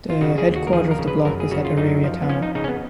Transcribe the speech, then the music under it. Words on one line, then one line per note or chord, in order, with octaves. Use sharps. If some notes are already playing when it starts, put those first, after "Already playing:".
The headquarter of the block is at Araria town.
F4
C#3 F#4
G#4
D#2
F#4
A#4
F3 G#4
A#4
C#3
B4
F#2 A#4
G#4
C#3 F#4
F4
F#2 D#4
F3
B3
F3 C#4
D#4
C#3 D#4
C#4
B3